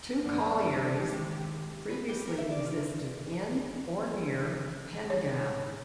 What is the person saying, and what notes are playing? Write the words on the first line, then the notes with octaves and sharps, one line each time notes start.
Two collieries previously existed in, or near, Pengam.
F#2 D3 A#3
G3 A4
D#3 G#3 G4
B4
G4
A#4
E5
D5
F4
C#5